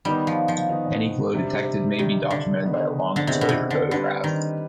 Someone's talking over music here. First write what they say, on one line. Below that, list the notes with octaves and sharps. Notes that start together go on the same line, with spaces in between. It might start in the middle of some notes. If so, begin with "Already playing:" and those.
Any glow detected may be documented by a long-exposure photograph.
D#3 G3 B3 D#4
F3
F3
D#3 B3 D#4
C3 G3 D4
C3 D#3 G3 D4
D3
D#3 B3 D#4 G#4
D3
C3 D#3 B3 D#4 G#4
B2
C3
D3
D3 G3 C4 G4 B4
D#3